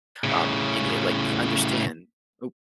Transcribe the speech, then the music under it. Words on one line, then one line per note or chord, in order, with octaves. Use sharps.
um, and you, like you understand. O
A2 C#3